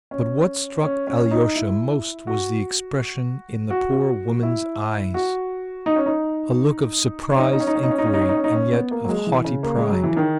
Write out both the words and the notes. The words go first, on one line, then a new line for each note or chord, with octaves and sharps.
But what struck Alyosha most was the expression in the poor woman's eyes--a look of surprised inquiry and yet of haughty pride.
C#4
C#4
C#4
D#4
E4
F#4
F#4
E4
F#4
D#4
C#4
D#4
C#4
D#4
C#4
D#4
C#4
D#4
C#4
D#4
C#4
D#4
C#4
D#4
C#4
D#4
C#4
D#4
C#4
B3
A#3
F#3
G#3
E3
C#3
A#3
G#3
F#3
E3
D#3